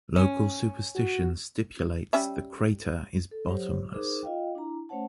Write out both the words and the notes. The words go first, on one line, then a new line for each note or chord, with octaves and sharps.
Local superstition stipulates the crater is bottomless.
C#4
F#4
G3 C#4 E5
A4
F#3 G4 C5 C#5
D#4 G#4 A#4 C5 D6
F4 D#5 F5 G5
D4 E4 A#5
A3 C#4 C5 C#5 F#5 A5